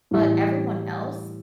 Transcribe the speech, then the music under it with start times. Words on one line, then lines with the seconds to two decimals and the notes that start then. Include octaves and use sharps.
But everyone else,
0.11 A2 E3 G3